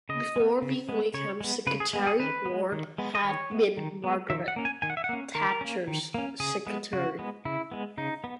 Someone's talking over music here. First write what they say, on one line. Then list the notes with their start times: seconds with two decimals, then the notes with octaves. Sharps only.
Before being Wakeham's secretary, Ward had been Margaret Thatcher's secretary.
0.09 C#3 D#5
0.36 G#3
0.40 B3
0.62 C#3
0.89 G#3 B3
1.14 C#3 C#5
1.41 G#3 B3
1.67 C#3 B4
1.80 G#4
1.93 G#3 B3
2.07 G#4
2.20 D#3 B4
2.45 G#3 B3
2.72 D#3
2.98 G#3 B3
3.15 D#5
3.25 D#3 C#5
3.51 G#3 B3
3.77 D#3
4.04 G#3 B3
4.30 D#3 E5
4.48 F#5
4.56 A#3 C#4
4.65 G#5
4.82 D#3 G#5
4.90 F#5
4.97 E5
5.04 F#5
5.09 A#3 C#4
5.35 D#3 A#4
5.61 A#3 C#4
5.88 D#3
6.14 A#3 C#4
6.40 C#3 G#4
6.67 G#3 B3
6.93 C#3 F#4
7.19 G#3 B3
7.45 C#3 E4
7.72 G#3 B3
7.98 C#3 D#4
8.24 B3